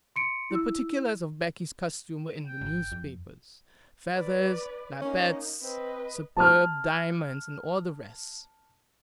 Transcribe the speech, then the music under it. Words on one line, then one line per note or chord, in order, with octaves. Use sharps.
The particulars of Becky's costume were in the newspapers--feathers, lappets, superb diamonds, and all the rest.
C6 C#7 D7
E4 E6
G5
G#1
F2
B4 D5
A#3 C#4 D#4
C4 B4 D#5
A5 F6